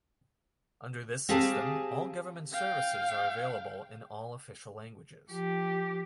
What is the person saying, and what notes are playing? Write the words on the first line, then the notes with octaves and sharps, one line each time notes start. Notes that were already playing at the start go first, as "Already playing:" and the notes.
Under this system, all government services are available in all official languages.
C4 G4 G#4 F5 G#5 A5
F5 G5
F3 G4